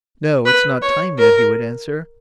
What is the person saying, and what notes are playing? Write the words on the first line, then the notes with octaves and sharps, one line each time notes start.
"No, it's not time yet . . ." he would answer.
B4
C#5
A#4